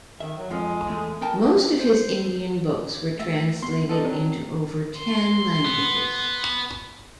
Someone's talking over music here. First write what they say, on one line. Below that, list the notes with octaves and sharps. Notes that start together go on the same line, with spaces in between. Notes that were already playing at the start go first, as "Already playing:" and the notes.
Most of his Indian books were translated into over ten languages.
D#3 E5
F#3
F2 F3 G#3
E2 A3
B3 A#4 G5 A5
C5
A3 E5
B3 C6
D4 D#4 A4
F#3 C4
C6
B3